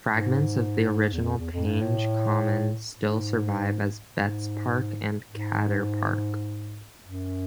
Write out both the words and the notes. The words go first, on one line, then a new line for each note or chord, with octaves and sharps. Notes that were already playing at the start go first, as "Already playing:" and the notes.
Fragments of the original Penge Common still survive as Betts Park and Cator Park.
G#2
E2
F2
E2
F2
G2
A2
G#2
G#2
G#2
F#2